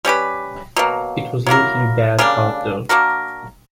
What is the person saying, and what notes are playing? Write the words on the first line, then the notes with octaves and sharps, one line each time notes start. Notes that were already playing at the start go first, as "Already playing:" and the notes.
It was looking bad out there.
G3 C#4 G4 B4
B2 F#3 A#3
F#3 A#3 E4 A#4
C#3 G3 A#3 D4
A#3 D4 F#4 A#4